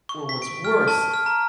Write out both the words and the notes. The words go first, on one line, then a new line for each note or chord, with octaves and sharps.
or what's worse,
C#6
B6
D7
F6
A5
F6
A#5